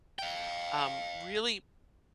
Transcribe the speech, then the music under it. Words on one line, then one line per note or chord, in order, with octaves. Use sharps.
um, really
F5 G5